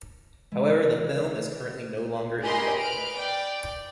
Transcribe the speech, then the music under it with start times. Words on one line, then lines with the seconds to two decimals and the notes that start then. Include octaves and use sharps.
However, the film is currently no longer in development.
0.52 E3 G#3
0.71 A#4
2.43 G4 G#4 A#4 D#5 B5 C6
2.78 B4 F6 D7
3.14 D5 G5